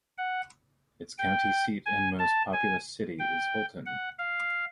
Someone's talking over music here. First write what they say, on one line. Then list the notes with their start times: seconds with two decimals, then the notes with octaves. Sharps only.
Its county seat and most populous city is Holton.
0.18 F#5
1.18 G5
1.86 G#5
2.19 A5
2.53 G#5
3.19 G5
3.86 F#5
4.19 F5